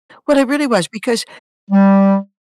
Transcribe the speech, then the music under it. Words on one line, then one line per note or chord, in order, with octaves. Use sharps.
What it really was because,
G3